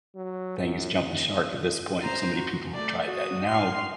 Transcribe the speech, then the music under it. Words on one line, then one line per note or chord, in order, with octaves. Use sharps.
thing has jumped the shark at this point, so many people have tried that. And now,
F#3
F#2
D#2
C5 A#5
F#4
A3 D5
F#4 D#6
C6 F6